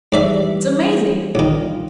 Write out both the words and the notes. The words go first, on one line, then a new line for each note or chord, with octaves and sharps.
It's amazing!
G#2 E3 G3 D5 E5
A#1 D#3
F4